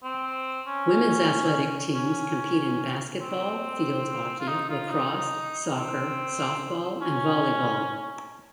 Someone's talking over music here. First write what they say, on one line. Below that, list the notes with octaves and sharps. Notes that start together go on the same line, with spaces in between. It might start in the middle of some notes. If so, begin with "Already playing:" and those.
Women's athletic teams compete in basketball, field hockey, lacrosse, soccer, softball and volleyball.
C4
C#4
C#4
C4
F4
D#4
F4
D#4
C4
C#4